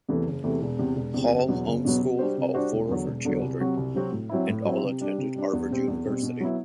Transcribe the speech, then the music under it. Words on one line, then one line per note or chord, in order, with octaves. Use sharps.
Hall home-schooled all four of her children and all attended Harvard University.
E2 C3 E3 A3
F#1
E2 C3 E3 A3
E1
E2 C3
E1
E2 C3
F#1
E2 B2 F#3 B3
F#1
E2 B2 F#3 B3
C3
G3 D4 F#4 C5
C3
G3 D4 F#4 C5
E1
E2 D3 F#3
E1
E2 D3 F#3
C2
C3 F#3 C4 F#4
C2
C3 F#3 C4 F#4
A2
F#3 C4 E4
A2
F#3 C4 E4
C3
G3 D4
C3
G3 D4
E2
B2 G3 C4
E2
B2 G3 C4
B2
F#3 B3 E4